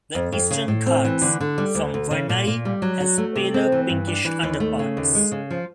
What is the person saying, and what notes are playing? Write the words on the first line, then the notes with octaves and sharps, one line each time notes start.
The Eastern Ghats form "vernayi" has paler pinkish underparts.
F2
F2
C#3
A2
C4
E3
D3
D3
G3
D2
D2
C#3
A#2
A#2
G3
F#3
F#4
A3
C3
C4
E3
G2
D4
E3
D#2
A3
C#3
D#2
G#3
C#3
F3